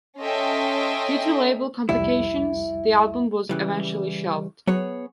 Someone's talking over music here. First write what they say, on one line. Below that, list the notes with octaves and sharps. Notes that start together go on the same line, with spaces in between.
Due to label complications, the album was eventually shelved.
C#4 A4 D#5 E5 G5 C6
C2 F2 G3 E4
C#3 E3 G3
F#3 B3 G#4 C#5